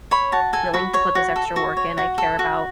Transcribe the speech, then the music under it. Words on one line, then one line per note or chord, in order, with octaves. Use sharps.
willing to put this extra work in. I care about
C#5 B5
F#4 A5
A4 G#5
F#4 B5
C#5
F#4
A4
F#4
C#5
F#4
A4
F#4